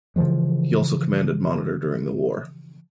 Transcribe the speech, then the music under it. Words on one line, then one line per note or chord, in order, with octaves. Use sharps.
He also commanded monitor during the war.
C#3 E3 F3 G#3